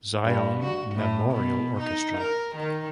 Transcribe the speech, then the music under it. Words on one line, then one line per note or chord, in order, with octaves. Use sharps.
Zion Memorial Orchestra.
G2
F#4
A2
B2
D#4
A#4
D#3